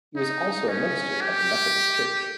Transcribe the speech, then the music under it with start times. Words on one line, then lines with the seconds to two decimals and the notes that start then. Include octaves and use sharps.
He was also a Minister of the Methodist Church.
0.16 D#4
0.69 C#4
1.21 G4